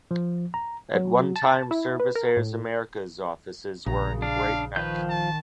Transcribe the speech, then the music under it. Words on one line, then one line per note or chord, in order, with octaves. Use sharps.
At one time Servisair's Americas offices were in Great Neck.
F3
A#5
F#3
A5
E4
B4
A#4
A2
A#1 C#3 A#5
D4 F5
D#3 F3 B4 G6
A5